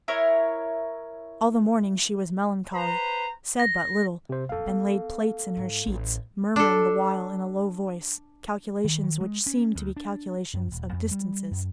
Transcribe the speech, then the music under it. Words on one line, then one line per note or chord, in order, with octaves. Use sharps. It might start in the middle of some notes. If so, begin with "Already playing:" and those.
All the morning she was melancholy, said but little, and laid plaits in her sheets, murmuring the while, in a low voice, calculations which seemed to be calculations of distances.
E4 A#4 C#5
B4 C5 A#5
A#6
C3 C5
D#1 F2 A4 F5
B3
G#2
A1
D4 A4
D#3
D#3
G#3
C#4
D2
D4
F#2
D#1
F2
G3
F#2